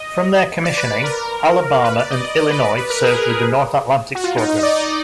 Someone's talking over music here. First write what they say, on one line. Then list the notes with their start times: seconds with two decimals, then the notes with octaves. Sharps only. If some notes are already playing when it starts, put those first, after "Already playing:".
From their commissioning, "Alabama" and "Illinois" served with the North Atlantic Squadron.
Already playing: D#5
0.64 D5
0.78 B4
1.04 A#4
1.84 B4
1.97 D5
2.10 D#5
2.24 D#5
2.37 D5
2.50 B4
2.63 D5
2.77 B4
2.90 A#4
3.04 G#4
4.15 F#4
4.24 F4
4.36 D#4
4.49 D#4
4.59 D#5
4.63 D5